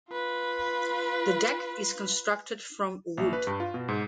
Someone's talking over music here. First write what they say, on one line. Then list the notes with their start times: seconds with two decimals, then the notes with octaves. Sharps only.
The deck is constructed from wood.
0.10 F4 B4
3.18 A#1
3.33 B4
3.47 G2
3.60 F4
3.74 B2
3.88 G#2